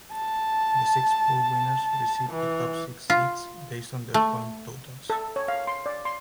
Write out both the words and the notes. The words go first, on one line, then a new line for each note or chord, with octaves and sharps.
The six pool winners receive the top six seeds, based on their point totals.
A5
E3
F4
A3
A4
C#5
F5
C6
D5
C6